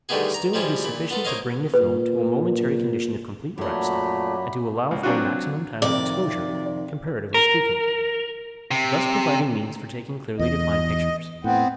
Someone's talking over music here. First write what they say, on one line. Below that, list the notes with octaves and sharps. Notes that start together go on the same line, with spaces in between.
Still it is sufficient to bring the film to a momentary condition of complete rest, and to allow for a maximum time of exposure, comparatively speaking, thus providing means for taking clearly defined pictures.
D3 D#3 G3 A3 B3 G#4
A#5
F3 G3 G#3 E4 F4
A#2 B5
B3 F4 A4
A#3 C5 C#5 D#5 F5
A#2 B4
F#2 A#2 F#3 A3 F#4 G4 B5
C#2
F#3 C4 D4 F4 F#4
F2 C3 D#3 D5
A#4
C3
E2 D#5
A2 B3 C4